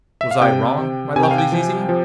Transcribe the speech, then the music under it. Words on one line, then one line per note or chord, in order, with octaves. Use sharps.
Was I wrong, my lovely Zizi?'
E5
F5
C3 G5
C3
C3 G#5
G5
F5
G5
F3
F3